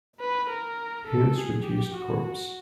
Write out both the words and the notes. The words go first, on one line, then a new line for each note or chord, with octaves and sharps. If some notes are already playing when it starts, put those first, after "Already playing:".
Hill's reduced corps.
B4
A#4
A4
G#4
G4
F#4
F#4